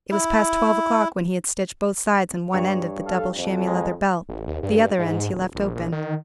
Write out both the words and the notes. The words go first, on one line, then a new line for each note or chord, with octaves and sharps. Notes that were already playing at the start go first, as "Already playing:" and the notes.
It was past twelve o'clock when he had stitched both sides and one end of the double chamois-leather belt; the other end he left open.
E4
G2 C#5
A4 F5
F2
G#3
A1
D#2
G2
G#2
D#1
A#1
A#1
D#3